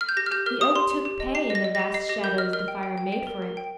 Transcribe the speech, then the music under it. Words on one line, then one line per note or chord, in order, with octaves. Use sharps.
The oak took pay in the vast shadows the fire made for it.
F6
G6
G4 A#6
F6
G4 G6
A#4 F6
G4 D#6
G4 C6
G4
G4
D#5
G4 C7
D#5 A#6
D#5
G4 A#6
D#5 C7
G4 A#6
A#4 G6
D#5 F6
A#4 F6
G5
G5
G5
G5
A#4
A#4
G5